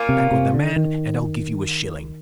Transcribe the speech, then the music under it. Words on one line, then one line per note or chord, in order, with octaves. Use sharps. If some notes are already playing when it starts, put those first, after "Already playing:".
Come back with the man, and I'll give you a shilling.
Already playing: A#3 C#4 F4
C3
C3
D3
D#3